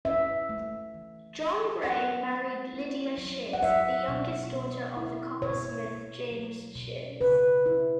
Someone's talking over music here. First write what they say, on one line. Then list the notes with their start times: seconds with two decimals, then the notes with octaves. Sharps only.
John Gray married Lydia Shears, the youngest daughter of the coppersmith James Shears.
0.05 C#4 E5
0.49 A3
0.94 E3
1.39 E3
1.84 F#3 F#5
2.29 A3
2.73 E4
3.18 F#3
3.53 F#5
3.63 F#3 E5
4.08 B2
4.53 B3
4.97 E4
5.42 B2 C#5
5.87 B2
6.31 F#3
6.75 B2
7.21 C#3 B4
7.66 E4